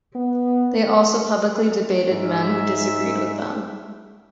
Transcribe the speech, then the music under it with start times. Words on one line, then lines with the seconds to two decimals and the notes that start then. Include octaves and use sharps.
They also publicly debated men who disagreed with them.
0.15 B3
2.10 G#2 E5